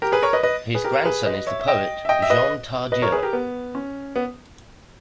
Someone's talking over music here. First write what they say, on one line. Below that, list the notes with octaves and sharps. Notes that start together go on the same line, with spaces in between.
His grandson is the poet Jean Tardieu.
G4 A#4
G#4 B4
A#4 C#5
B4 D#5
B4 D#5
G#4 B4
G4 A#4
G#4 B4
B4 D#5
C#5 E5
E5
D#5 G5
E5
D#5 G5
E5
B4 D#5
B4 D#5
A#4 C#5
G#4 B4
G4 A#4
B3
C#4
B3